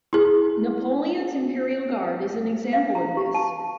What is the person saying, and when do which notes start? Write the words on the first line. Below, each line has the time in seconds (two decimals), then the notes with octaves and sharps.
Napoleon's Imperial Guard is an example of this.
0.13 E4 G#4
2.73 F5
2.95 A#5
3.17 G4
3.34 A5